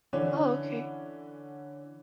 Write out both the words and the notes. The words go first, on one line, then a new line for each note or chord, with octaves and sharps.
Oh, okay.
D3 E3 C#4 D4